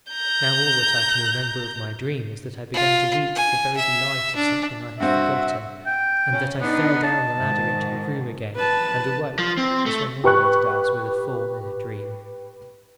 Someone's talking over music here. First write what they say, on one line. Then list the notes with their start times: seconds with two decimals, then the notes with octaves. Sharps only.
Now all that I can remember of my dream is that I began to weep for very delight of something I have forgotten, and that I fell down the ladder into the room again and awoke, as one always does with a fall in a dream.
0.13 A#5 G6
2.74 F4
3.35 G#5
3.77 E5
4.35 D4
5.00 G2 C4 F#4 E5
5.86 G5
6.29 C#3 C#4
6.61 B3 D4 D#4
7.03 A5
7.37 G#2 D#3
8.56 B4 A5
9.39 F3
9.57 C4
9.86 A3
10.24 G4 B4 C#6 F#6